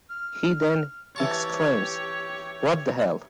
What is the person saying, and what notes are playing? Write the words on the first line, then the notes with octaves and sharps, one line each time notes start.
He then exclaims: What the hell?!
F6
E3 G4 C#5 A5 C#6